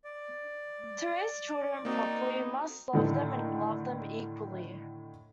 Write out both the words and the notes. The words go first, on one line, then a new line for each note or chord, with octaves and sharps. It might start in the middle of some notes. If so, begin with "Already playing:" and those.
"To raise children properly, we must love them and love them equally".
D5
A#3 C4 D#4 F#4
A2 D3 D#3 A3 A4